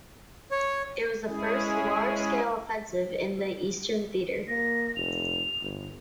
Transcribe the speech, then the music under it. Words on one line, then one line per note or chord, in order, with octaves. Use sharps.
It was the first large-scale offensive in the Eastern Theater.
C#5
G#3 C#4 E4 G#4
A#3 A#6
F1 F7
G1